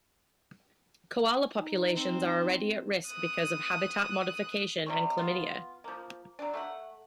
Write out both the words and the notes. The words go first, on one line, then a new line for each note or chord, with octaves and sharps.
Koala populations are already at risk because of habitat modification and chlamydia.
D#4
C4 C5
D#6 F#6
C3 G3 C#6
B3 F4
F3 A#3
F#3 D4
A3 G4 F#5